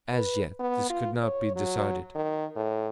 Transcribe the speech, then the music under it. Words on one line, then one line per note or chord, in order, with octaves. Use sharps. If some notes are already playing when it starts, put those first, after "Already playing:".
As yet, this could not be decided.
B4
B3
F4
C#5
F#3
D#3
A2